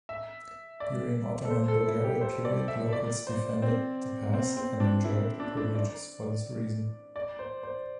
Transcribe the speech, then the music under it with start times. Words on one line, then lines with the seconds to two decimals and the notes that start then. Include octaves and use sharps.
During Ottoman Bulgaria period locals defended the pass and enjoyed privileges for this reason.
0.09 E5
0.80 D5
1.45 A4
1.51 C5
1.68 A4
1.86 E4
2.04 G4
2.21 C5
2.45 D5
2.68 E5
2.93 D5
3.27 C5
3.62 C4
4.33 C4
4.57 C4
4.80 D4
5.04 E4
5.40 D4
5.57 D4
5.75 D5
7.16 D5
7.39 C5
7.63 C5